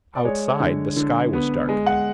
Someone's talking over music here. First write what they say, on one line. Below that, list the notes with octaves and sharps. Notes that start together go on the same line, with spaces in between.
Outside the sky was darkening.
D5
G#3 C#5
D3
D3
B3
G#3
F#5